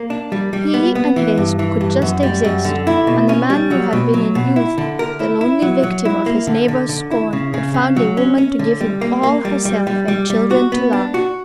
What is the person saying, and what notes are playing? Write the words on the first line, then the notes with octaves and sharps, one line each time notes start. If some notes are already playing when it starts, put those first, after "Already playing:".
He and his could just exist, and the man who had been in youth the lonely victim of his neighbours' scorn had found a woman to give him all herself and children to love.
Already playing: A#3
D4
G3
G3
B3
B3
E3
G2
E3
G2
F#2
G3
F#2
D3
E4
B2
C#4
G3
F#3
B2
F#3
B2
E4
D3
A#4
E4
E4
F#3
F#3
E4
A#3
D3
D3
D3
E4
C#3
C#3
C#3
F#3
C#4
C#4
D3
G3
A#3
A#3
G3
G3
G3
G3
G3
F#4
B3
D4
F#4